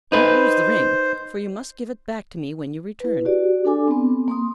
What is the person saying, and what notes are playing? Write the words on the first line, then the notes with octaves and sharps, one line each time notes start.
Don't lose the ring, for you must give it back to me when you return.
D#4 B4 C5
E4 B4
F#4 G4 D5
D4 A4 G#5 D6
B3 C4
A#3 C6 D#6